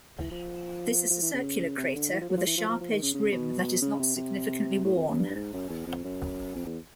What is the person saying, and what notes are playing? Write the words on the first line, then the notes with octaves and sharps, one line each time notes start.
This is a circular crater with a sharp-edged rim that is not significantly worn.
E3
F3
F3
E3
C#3
C3
D3
E3
F3
F#3
F3
E3
F3
F3
F3
D#3
C#3
C#3
B2
C#3
C3
C3
A2
F2
F#2
G2
G2
G#2
F#2
E2
F2
F#2
F2
E2